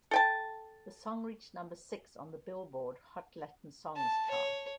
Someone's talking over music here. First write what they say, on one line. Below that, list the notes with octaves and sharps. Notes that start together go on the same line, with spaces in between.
The song reached number six on the "Billboard" Hot Latin Songs chart.
A4 G5 A5
A5
C#5